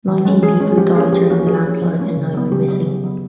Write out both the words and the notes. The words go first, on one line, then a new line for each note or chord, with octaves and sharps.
Nineteen people died during the landslide and nine went missing.
E3
G#3 C#4
E3 G#4
G#3 C#4
F3 G4
A#3 C#4 G#4
F3 G4
A#3 C#4 F#4
F3 G#4
A#3 C#4
F3
A#3 C#4
C#3
F#3 B3
C#3 G4
F#3 B3
C#3
F#3 B3